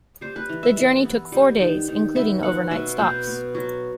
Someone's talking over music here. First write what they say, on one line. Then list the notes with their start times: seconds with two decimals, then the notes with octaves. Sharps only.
The journey took four days, including overnight stops.
0.21 G3 C5
0.36 B4
0.49 E3
0.63 E5
0.77 E3 E5
1.05 B3
1.32 G3
1.60 D#3
1.88 D#3
2.15 B3 E5
2.43 F#3 F#5
2.71 B2 E5
2.98 B2 C5
3.26 B3
3.55 F#3